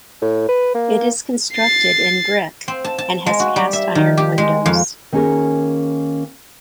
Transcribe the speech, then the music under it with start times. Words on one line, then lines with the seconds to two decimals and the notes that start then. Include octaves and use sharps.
It is constructed in brick and has cast iron windows.
0.22 A2
0.49 B4
0.74 A#3
1.54 A6 C7
2.68 C4
2.84 A5
2.98 A5
3.26 G#3
3.40 F#4
3.56 G3
3.73 E5
3.95 D#3
4.17 G4
4.38 G#3
4.66 F2
5.12 D#3 A#3 C#4 F#4 G#4 A#4